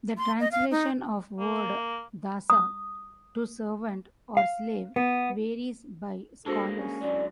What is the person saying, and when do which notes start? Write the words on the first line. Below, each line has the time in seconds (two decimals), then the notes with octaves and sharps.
The translation of word "dasa" to servant or slave varies by scholars.
0.18 C6
0.40 D#5
0.52 F5
0.71 D#4
1.40 A#3
2.50 D#6
4.37 F5
4.96 B3
6.46 G#3 A#3 D4 F#4 A4 C5
6.77 C#4
7.01 G#2 D3 F#3 D5